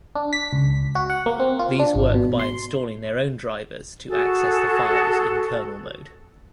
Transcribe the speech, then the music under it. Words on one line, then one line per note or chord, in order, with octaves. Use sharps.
These work by installing their own drivers to access the files in kernel mode.
D4
B6
C#2
F#4
F#5
A#3
C4
F4
D4
G#1
B2
C6
F#4 G#4 A4